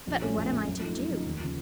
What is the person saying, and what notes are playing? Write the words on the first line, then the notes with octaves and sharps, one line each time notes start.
"But what am I to do?"
A#1
A2 A3 C#4
A#1
A2 A3 C#4
F#2
F3 A3 D#4
F#2
F3 A3 D#4
D#2
C#3 F3